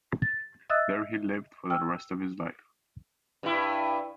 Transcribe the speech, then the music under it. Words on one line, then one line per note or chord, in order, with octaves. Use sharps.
There he lived for the rest of his life.
A6
D#5 E5 D#6 E6 F#6 A6
G5 E6 F6
G2 E4